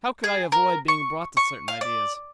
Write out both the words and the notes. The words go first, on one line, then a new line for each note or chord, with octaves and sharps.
How could I avoid being brought to certain ideas?
G#4
A#4
C#6
C#6
F5
D5